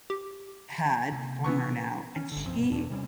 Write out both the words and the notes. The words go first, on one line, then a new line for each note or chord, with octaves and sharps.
had, former now- and she,
G4
C3 A#3
E3 B3 C#6
C#4
G1 D3
C2 G2 F3 C4
G2 B2
E2 B2 D4
C3 G3 C#4